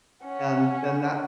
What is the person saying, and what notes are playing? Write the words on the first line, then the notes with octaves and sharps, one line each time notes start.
and then that's
C#4 F#5